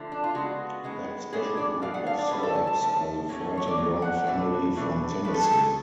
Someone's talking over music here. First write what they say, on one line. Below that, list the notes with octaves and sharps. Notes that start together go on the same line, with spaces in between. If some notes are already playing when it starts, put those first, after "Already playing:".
One special group of celebs are the "fighting Brown family from Tennessee".
Already playing: D3 F3 A3
D4
F4
C#3 G#3 B3 F#4
C#3 G#3 B3
A2 G#3 B3 D4 G#4
D5
A2 G#3 B3 D4 F5
F#5
F5
D5
F3 A3 C#4 B4
A4
G#5
A5
F3 A3
A2 F#3 A3 C#4
C#5
D5
A2 F#3
F#5
B2 A3 D4
B2 A3 D4
F3 A3 C#4 B4
A4
G#4
A4